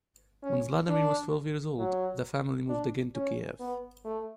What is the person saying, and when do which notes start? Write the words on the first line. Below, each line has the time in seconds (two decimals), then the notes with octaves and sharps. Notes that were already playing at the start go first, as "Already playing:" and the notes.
When Vladimir was twelve years old, the family moved again to Kiev.
0.43 C#4
0.88 D4
1.79 F#3
2.69 D4
3.15 C#4
3.60 B3
4.05 A3